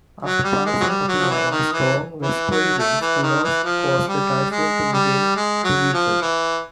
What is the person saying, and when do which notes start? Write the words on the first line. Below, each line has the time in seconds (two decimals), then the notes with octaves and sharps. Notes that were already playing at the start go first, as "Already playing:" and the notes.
After passing Okinawa, strong westerly winds aloft caused the typhoon to begin to weaken.
0.23 F#3
0.43 G3
0.66 G#3
0.80 F#3
0.87 G3
1.08 F#3
1.19 F3
1.30 E3
1.51 D#3
1.73 E3
2.22 E3
2.51 F#3
2.79 A3
3.01 E3
3.22 D#3
3.44 E3
3.64 F3
4.08 G3
4.51 G#3
4.93 G3
5.36 G#3
5.64 F#3
5.93 F3
6.21 E3